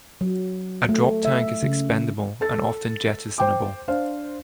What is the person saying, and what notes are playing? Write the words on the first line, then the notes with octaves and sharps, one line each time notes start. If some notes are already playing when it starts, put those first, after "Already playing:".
A drop tank is expendable and often jettisonable.
F#3
A3
E5
C#3
A4 A6
C5 G5 D6
D4 C5 F5